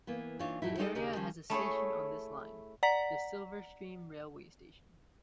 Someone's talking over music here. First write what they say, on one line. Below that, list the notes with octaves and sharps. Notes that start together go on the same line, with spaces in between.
The area has a station on this line; the Silverstream Railway Station.
E3 A#3 B3
E3 D4 D#4 F4 C#5
F2 A2 F#3 D#4 E4
G3 G#3 D#4 E4 A4 D#5
D#2 C#3 D4 G4 A#4 D#5
D#3 F3 G3 C#4
A3 E4 G#4 C#5
D5 F#5 A#5 B6